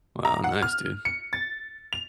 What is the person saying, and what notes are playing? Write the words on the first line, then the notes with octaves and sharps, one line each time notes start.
Wow. Nice, dude.
A#5
F#5
F6
C#7
A6
F7